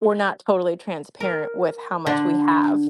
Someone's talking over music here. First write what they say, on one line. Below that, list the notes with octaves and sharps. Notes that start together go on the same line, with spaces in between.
we're not totally transparent with how much we have.
A#4
D3